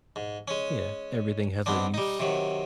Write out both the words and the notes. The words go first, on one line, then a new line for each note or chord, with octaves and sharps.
Yeah, everything has a use
G#2
G#3 C#4
G#2 B3 C4 D4
G3 D#4
C3 D#3 F#3